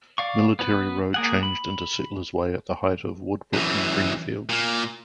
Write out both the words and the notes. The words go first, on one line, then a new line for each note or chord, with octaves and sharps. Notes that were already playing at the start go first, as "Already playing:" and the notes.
Military Road changed into Settlers Way at the height of Woodbrook and Greenfields.
D5 F5 C#6
B3 B4
A#3 G#4 F#5
B5
F#2 E3
A#2 A#3